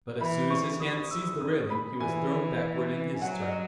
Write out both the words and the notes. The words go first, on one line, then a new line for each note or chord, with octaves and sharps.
But as soon as his hands seized the railing, he was thrown backward in his turn.
E3 B5
C#6
D#6
E6
D#6
B5
E3 G#5
G#5
F#3 F#5
D#5